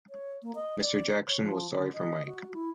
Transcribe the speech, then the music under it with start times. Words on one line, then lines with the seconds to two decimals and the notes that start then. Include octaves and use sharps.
Mr. Jackson was sorry for Mike.
0.10 C#5
0.43 A#3
0.55 D#5
0.81 D5
1.28 C#5
1.41 F3
1.76 D3
1.93 D#5
2.26 F#4
2.53 E4